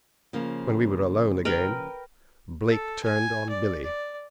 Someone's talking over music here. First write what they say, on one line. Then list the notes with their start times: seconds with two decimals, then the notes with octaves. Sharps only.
When we were alone again Blake turned on Billy.
0.33 C#3 F3 A#3
1.45 A#4 B4 G5
2.68 A4
3.04 G#5
3.49 D5
3.83 D5